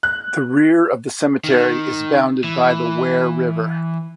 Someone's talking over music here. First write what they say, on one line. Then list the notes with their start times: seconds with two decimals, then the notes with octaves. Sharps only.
The rear of the cemetery is bounded by the Ware River.
0.03 F#6
1.44 D#3
2.44 E3